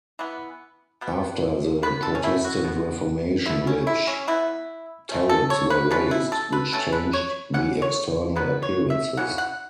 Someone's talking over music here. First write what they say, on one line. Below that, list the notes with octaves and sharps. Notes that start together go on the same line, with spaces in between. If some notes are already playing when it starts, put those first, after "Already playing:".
After the Protestant Reformation, ridge turrets were raised, which changed the external appearances.
E3 B3
B2 B3
B2 B3 B4
A4
C#4
E4
F#4
B2 B3
B2 B3 E4
C#4
E4
C#4
E3 B3 E4
C#3 A3 C#4
A4
C#5
B4
B2 A3 C#4 B4
E4
A4
B4
B2 A3 C#4 A4
B4
C#5
E3 C#4 F#5
C#5
B2 F#3 B3 B4
C#5
E5
C#3 E3 C#4 F#5
F#5